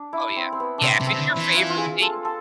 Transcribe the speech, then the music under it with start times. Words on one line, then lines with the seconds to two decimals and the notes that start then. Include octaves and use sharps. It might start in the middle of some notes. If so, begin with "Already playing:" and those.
Oh, yeah. Yeah. If it's your favorite thing
Already playing: D4
0.13 E4
0.36 C4
0.52 C4
0.60 B3
0.78 C3 C4 D4
1.01 C3
1.07 C4
1.13 C3
1.18 D3
1.30 E4
1.37 E3
1.54 F4
1.70 F4
1.77 G#4
2.02 A4
2.25 A4